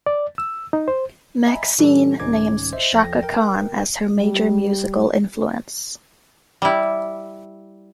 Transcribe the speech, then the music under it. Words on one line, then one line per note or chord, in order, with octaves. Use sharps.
Maxine names Chaka Khan as her major musical influence.
D5
E6
D#4
C5
D#5 E5 G#5 A#5 B5
A#2 E3 G3 D4 G4 A4
C2 G#2 D#3 C#4 D6 G#6
C5 D#5 E5
E2 F3 A4 G5 A#6
A#4 G5
G3
G3 E4